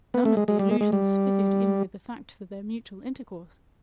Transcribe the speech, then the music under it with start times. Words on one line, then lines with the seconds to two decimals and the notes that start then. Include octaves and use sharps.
None of the allusions fitted in with the facts of their mutual intercourse.
0.14 B3
0.25 A3
0.37 G#3
0.48 G#3
0.59 G3
0.71 G#3
0.81 G#3
0.92 G3